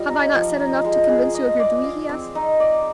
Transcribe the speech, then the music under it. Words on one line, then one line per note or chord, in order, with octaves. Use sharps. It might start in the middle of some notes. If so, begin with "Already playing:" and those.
"Have I not said enough to convince you of your duty?" he asked.
Already playing: G3 F4 D#5
D#4
F3
D#4
G#3
G#4
D#5
D5
F5
C4
D#4
D5